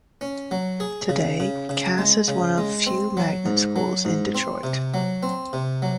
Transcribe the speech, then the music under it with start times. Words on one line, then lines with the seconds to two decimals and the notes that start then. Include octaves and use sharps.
Today, Cass is one of few magnet schools in Detroit.
0.21 C#4
0.51 F#3
0.80 G#4
1.09 C#3
1.40 C#3
1.69 C#3
1.98 G#3
2.28 C#3
2.58 G#3
2.87 C4
3.17 F#3
3.46 G#2
3.76 F#3
4.05 G#2
4.35 C4
4.63 C3
4.94 F#3
5.23 C4
5.53 C3
5.82 F#3